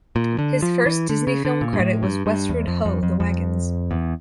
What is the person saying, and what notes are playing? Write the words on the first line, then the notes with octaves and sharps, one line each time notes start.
His first Disney film credit was Westward Ho, the Wagons!
A#2
D3
F3
E3
D3
C#3
D3
A#2
G2
A2
G2
G2
E2
F2
F2
F2
F2
E2